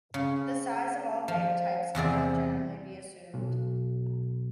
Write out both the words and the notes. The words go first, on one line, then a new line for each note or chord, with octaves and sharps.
The size of all data types cannot generally be assumed.
C#3
F3
E2 C3 G#4 D5
B1